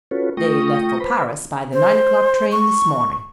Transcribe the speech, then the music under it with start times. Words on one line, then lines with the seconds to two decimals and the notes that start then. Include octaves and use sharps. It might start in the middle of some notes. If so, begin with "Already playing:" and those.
"They left for Paris by the nine o'clock train this morning."
0.11 C#4 F4 F#4 A4 B4 C#5
0.37 A3 F4 G5 C#6 D#6 A#6
1.00 B4 C5 B5
1.73 C5
2.52 C#6